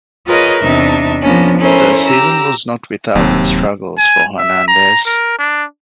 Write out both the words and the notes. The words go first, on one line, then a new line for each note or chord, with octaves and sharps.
The season was not without its struggles for Hernandez.
F4 G#4 A#4 B4 C#5 D#5
E2 C3 D4 D#4 E5
F3 A#3 B3 C#4 D4
C#4 E4 A4 A#4 C5
G4 A#5 E6
D1 D#2 C3 F#3
G#5
E5
A#5
A#4
D4